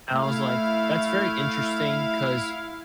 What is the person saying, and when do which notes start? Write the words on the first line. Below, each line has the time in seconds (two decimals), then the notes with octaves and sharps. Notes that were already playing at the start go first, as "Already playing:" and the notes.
I was, like that's very interesting 'cause
0.14 A3 E4 F5